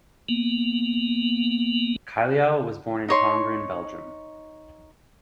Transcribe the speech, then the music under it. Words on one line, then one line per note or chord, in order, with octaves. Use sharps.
Cailliau was born in Tongeren, Belgium.
A#3 B3
D#4 C#5 C6